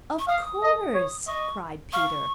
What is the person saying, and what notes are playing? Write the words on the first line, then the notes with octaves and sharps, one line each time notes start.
"Of course," cried Peter.
C#6
F5 D#6
D#5
C#5
D#5 C#6
F5 C#6